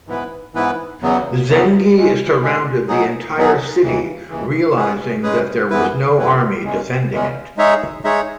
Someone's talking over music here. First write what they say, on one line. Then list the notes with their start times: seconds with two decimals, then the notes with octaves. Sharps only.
Zengi surrounded the entire city, realizing that there was no army defending it.
0.07 G#2 E3 B3 E4 B4
0.54 G#2 E3 B3 E4 B4
1.01 E2 C#3 F#3 B3
1.47 E2 C#3 F#3 B3
1.95 A2 G#3 C#4
2.42 A2 G#3 C#4
2.88 B2 F#3 B3 D#4 G#4
3.36 B2 F#3 B3 D#4 G#4
3.83 D#2 C#3 E3
4.30 D#2 C#3 E3
4.76 G#3 C#4 G#4 B4
5.23 G#3 C#4 G#4 B4
5.70 F#2 E3 B3 E4 B4
6.17 F#2 E3 B3 E4 B4
6.63 E2 C#3 G#3 C#4
7.11 E2 C#3 G#3 C#4
7.57 G#3 D#4 G#4 C#5 E5
8.04 G#3 D#4 G#4 C#5 E5